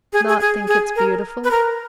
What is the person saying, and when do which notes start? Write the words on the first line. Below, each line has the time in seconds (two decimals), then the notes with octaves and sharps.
"Not think it beautiful?"
0.13 G#4
0.29 G#4
0.41 G#4
0.68 G#4
0.96 A#4
1.44 B4
1.51 A#4